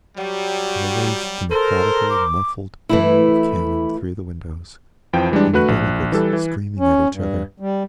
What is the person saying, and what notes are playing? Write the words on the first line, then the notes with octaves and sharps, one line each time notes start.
Always the methodical muffled boom of cannon through the windows, and the delegates, screaming at each other....
F#3 G3
A4 A#4 C5
D6
E3 A3 E4
F2 E3 F3 G5
E3 G3 G#3 D4
D3 A3 F#4 B4 F#6
A#1
E3 G3 A4
E3
C#4
G2
G3